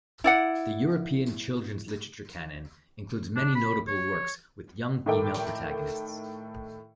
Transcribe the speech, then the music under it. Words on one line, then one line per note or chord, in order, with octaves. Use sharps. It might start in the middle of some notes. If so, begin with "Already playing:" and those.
The European children's literature canon includes many notable works with young female protagonists.
E4 D5 F#5
D4
B5
C#5
A2 D#3 A3 A#4 G5 D6